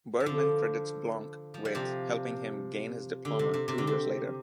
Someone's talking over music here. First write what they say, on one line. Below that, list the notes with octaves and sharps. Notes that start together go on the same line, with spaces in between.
Bergman credits Blanc with helping him gain his diploma two years later.
F3
D3
F3
G3
C3 F3
D3
C3
C3
C3
D3
C3